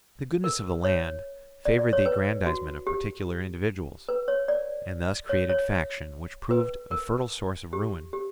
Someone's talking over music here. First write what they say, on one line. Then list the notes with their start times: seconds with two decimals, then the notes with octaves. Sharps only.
The goodness of the land favoured the aggrandizement of particular individuals, and thus created faction which proved a fertile source of ruin.
0.44 A#4
0.84 C#5
1.65 D5
1.79 D5
1.93 C#5
2.06 B4
2.46 F#4
2.87 G4
4.09 B4
4.28 C#5
4.48 D5
5.29 C#5
5.50 C#5
6.51 B4
6.91 A#4
7.73 G4
8.13 G4